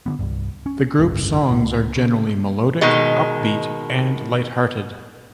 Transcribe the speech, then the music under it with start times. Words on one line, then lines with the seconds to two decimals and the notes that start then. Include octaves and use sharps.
The group's songs are generally melodic, upbeat, and lighthearted.
0.06 D3 F#3 B3
0.19 C2 G2
0.66 C#4
0.99 F#1 C2 G#2 C#3
1.51 C#2 A2
1.96 C#3
2.81 B2 D#3 G#3